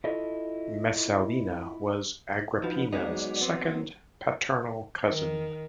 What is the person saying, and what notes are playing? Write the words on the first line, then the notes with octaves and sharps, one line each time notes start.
Messalina was Agrippina's second paternal cousin.
E4 F4 A4 C#5 D#5
F3 D#4 F#4 B4
F#3 G#3 B3 D#4 F#4 D5
B3 C4
A#3
D#3